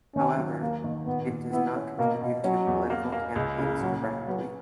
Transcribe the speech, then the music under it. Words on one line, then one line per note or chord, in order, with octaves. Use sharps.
However, it does not contribute to political campaigns directly.
D#3 C#4
F#3
D#2 A#3
D#3
A#2 B3
A#2
B3 E4
C#4
B2 A#3
B2
F#3 C#4
E2
A#3
A#3
C#2
C#3
A#2 F#3
C#4
F#3 B3